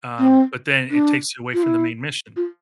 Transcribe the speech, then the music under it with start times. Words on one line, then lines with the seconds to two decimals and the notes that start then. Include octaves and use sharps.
Um, but then it takes you away from the main mission.
0.19 C4
0.91 D4
1.54 F4
1.63 E4
2.36 F4